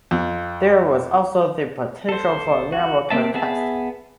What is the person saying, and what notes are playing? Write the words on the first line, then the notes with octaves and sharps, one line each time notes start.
There was also the potential for a naval contest.
F2
A4 C5
F#4
A#3 C4 E5 A5
B3 G#4 E5 A5